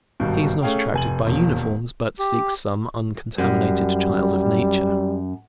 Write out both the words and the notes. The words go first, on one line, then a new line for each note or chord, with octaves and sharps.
He is not attracted by uniforms, but seeks some uncontaminated child of nature.
G#1 G2 B2
A3 C#4 G#4 F5 G5
F1 G#5 F#7
E1 D#2
G4
F#2 G3